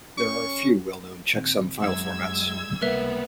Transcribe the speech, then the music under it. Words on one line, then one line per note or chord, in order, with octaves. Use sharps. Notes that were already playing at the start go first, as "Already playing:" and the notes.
There are a few well-known checksum file formats.
C#4 C#6
A#2 D#3 C4
F#2 G#3 E6 G#6
C#2 C3 G3 A#3 B3 A#4 B4 E5